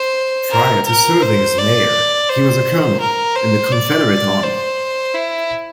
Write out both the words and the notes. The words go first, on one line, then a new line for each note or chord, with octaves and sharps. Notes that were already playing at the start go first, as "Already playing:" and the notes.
Prior to serving as mayor, he was a colonel in the Confederate Army.
Already playing: C5
A#4
A#4
C5
D5
C5
A#4
C5
D5
C5
E4